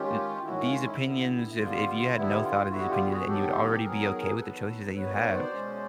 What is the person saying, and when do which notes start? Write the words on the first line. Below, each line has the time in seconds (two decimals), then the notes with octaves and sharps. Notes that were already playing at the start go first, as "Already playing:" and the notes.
n these opinions, if if you had no thought of these opinions and you'd already be okay with the choices that you have,
Already playing: D#3 G#3 C#4 F4 G4
0.45 D#3 G#3 C#4 E4 F#4
0.64 F4
0.83 E4
1.02 D3 G3 B3
1.58 D3 G3 B3 F4
2.14 D3 G3 B3 E4
2.43 F4
2.70 D3 G3 B3 E4 F#4
2.89 F4 G4
3.08 F#4 G#4
3.27 D#3 F#3 B3 G4 A4
3.83 D#3 F#3 B3 G#4 A#4
4.39 D#3 F#3 B3 A4 B4
4.96 D#3 F#3 B3 B4 C#5
5.15 B4 C#5
5.33 C5 D5
5.53 B2 G#3 C#4